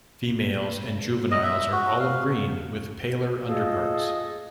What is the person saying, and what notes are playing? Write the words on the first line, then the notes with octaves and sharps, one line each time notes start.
Females and juveniles are olive-green with paler underparts.
D#5
E5
F#4
F5
F4 G#4 A4 D#5